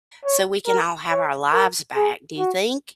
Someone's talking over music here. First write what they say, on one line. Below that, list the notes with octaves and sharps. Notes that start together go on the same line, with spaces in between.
so we can all have our lives back. Do you think?
C#5
A#4
C#5
A#4
G#4
F#4